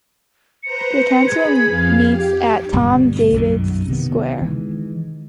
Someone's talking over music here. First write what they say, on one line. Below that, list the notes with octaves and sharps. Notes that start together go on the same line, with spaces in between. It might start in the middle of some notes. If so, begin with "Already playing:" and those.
The council meets at Tom Davies Square.
B4 C5 A#5 C#7
G#4 B5 G#6
F2 F5
G4
G2 B2 D3 G3
B1 F#2 D#3
C3 D#3 B3
D#3 E3 G#3